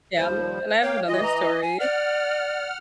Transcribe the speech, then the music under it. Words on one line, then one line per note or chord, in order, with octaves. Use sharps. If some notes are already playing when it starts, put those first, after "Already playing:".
Yeah. And I have another story of
D#2 F3 G3 C5
A#3 C#5 F5 G5
E3 F4 D#5
A#5
G#5
D5 F#5 F6